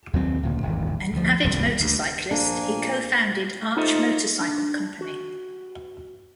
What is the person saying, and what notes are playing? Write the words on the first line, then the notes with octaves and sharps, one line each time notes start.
An avid motorcyclist, he co-founded Arch Motorcycle Company.
D#2 F#3 C4
D2 A#2 C#3
D#1 G#1 E2
D2 F3
D#1 C2 F#2 B2
D2
A#1 A#3 D4 G#5
D#4 F4 A4 C5 D#5 E5
D4
F#4